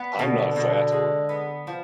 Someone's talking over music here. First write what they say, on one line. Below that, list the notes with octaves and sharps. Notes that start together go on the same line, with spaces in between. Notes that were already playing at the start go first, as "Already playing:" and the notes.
I'm not fat.
Already playing: B3
B2 D3
B2
G#3
B3
F3